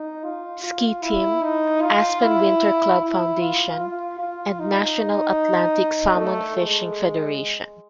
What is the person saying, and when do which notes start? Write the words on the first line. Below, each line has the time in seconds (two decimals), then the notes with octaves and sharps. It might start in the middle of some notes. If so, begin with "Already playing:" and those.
Ski Team, Aspen Winterclub Foundation, and National Atlantic Salmon Fishing Federation.
Already playing: D#4
0.24 F4
0.64 F4
1.03 E4
1.43 D#4
1.82 F4
2.22 E4
3.01 E4
3.40 F4
3.80 F4
4.19 F4
4.60 D#4
6.18 A3
6.57 G#3